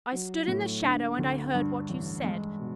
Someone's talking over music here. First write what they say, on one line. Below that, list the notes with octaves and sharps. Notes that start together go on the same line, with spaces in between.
I stood in the shadow, and I heard what you said.
F#3
A2
D3
D2
G2
A1
G#3
B2